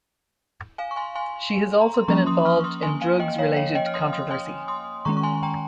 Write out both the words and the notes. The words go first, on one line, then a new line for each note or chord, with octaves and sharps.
She has also been involved in drugs-related controversy.
F5 G#5
C#6
G#5 C6
G#5 C6
A#5
C6
F3 A#3 C#4 A#5 C#6
C6 D#6
C#6 F6
C#6
C6 D#6
G#5 C6
F5 G#5
D#5 G5
C#5 F5
G5
C#5 F5
D#5 G5
F6
C6 D#6
C6 D#6
G#5 C6
C6 D#6
D#3 G#3 C#4 A#5 C#6
C#6
G#5 C6
G5 A#5